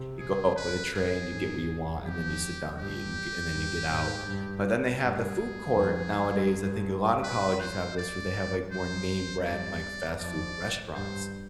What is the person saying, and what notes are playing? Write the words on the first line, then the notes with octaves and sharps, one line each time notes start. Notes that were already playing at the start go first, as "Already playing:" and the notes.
You go up with a tray, and you get what you want, and then you sit down and eat, and g and then you get out. But then they have the food court nowadays, I think a lotta colleges have this where they have like more name brand, like, fast food restaurants,
Already playing: C3
G#4
B4
G#4
G#2
F2 G4
G2 G4
G2
G#2
G2
G2 G#4
F2
G2
B4
C5
D5
F2 C5
G2 D5
F2 D5
G2 C5